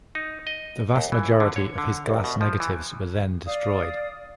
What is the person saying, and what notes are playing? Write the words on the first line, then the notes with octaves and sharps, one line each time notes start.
The vast majority of his glass negatives were then destroyed.
D#4
D#5
D#2
E3
D3
C#5
D3
C2
B2
F3
E3
D5 F5 D#6